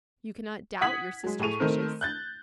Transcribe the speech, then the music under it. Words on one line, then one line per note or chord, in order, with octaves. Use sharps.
You cannot doubt your sister's wishes.
F#5 D#6 G#6 B6 F#7
F#3 G#3
A2 A3 G#4 C#6 D#7 F7
D#3 A3 C4 A#4
F#6 G6 A6